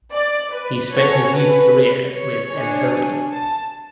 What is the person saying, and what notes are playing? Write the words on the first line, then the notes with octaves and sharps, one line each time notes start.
He spent his youth career with Empoli.
D5
B4
C#4 F#4 A4 C#5
B4
C#5
D4 G#4
A5